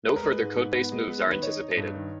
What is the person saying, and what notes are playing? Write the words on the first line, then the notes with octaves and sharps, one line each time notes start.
No further codebase moves are anticipated.
G#3 B4
A#4
G#3 B4
G#2
G#2
B3
G#3
B3
D#3
B4
D#4 C#5
D#4
G2
D#3